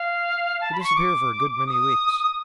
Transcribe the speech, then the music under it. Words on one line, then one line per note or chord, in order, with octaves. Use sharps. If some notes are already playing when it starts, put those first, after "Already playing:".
He disappeared for a good many weeks.
Already playing: F5
A5
B5
C6
C#6
D6
D#6